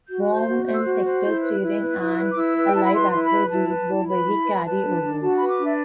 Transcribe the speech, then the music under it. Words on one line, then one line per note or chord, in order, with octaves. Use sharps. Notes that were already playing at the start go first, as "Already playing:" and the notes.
Worm-and-sector steering and a live axle rear end were carry overs.
F#4 G6
F#6
C5
G6
F#4
C5 G6
E6
F#4 F#6
F#6
C5 F#6
E4 G6
B4 F#6
E4
B4 F#6
E4
B4
D6
E4 E6
B4
G5
E4 A5
B5
B4 C6
E4 C6
B5
B4
E4 A5
B4
E4
B4 B5
E4
B4
B4 A5
D4
D4
F#4 A5
B4 B5
D6
D4
E5